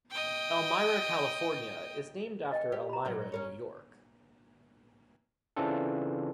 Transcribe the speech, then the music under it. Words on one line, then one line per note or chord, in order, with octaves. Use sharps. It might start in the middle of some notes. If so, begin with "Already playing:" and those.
Elmira, California, is named after Elmira, New York.
D#5 G5
D#5 G5
G4
A#5 B5
A#2 F#3 A#4
C#4 A#4 C#5
C#3 E3 C4 D4 F4 A4